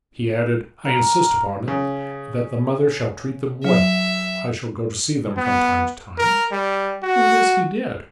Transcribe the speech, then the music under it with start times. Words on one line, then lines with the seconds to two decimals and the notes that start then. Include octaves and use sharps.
He added: "I insist upon it that the mother shall treat them well. I shall go to see them from time to time." And this he did.
0.85 A#4
1.68 C#3
3.64 F#3 E5
5.37 B3
6.18 A#4
6.51 G3
7.03 F#4